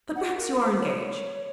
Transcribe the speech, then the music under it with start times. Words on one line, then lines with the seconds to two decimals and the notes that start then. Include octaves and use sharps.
'But perhaps you are engaged.
0.16 F#5
0.37 A#4
0.59 C5
0.80 C#5